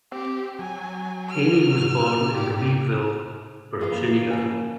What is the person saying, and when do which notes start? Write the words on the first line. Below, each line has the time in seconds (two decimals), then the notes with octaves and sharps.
Haynie was born in Reedville, Virginia.
0.12 C4 G4
0.59 F#3 G#5
1.30 F6
2.35 A#2 G4
3.81 F2 E3 A#3 F4 G#4 B4
4.33 C#3 A5